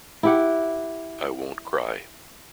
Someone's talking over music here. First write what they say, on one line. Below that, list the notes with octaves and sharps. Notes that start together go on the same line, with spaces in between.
I won’t cry.
E4 G4 F#5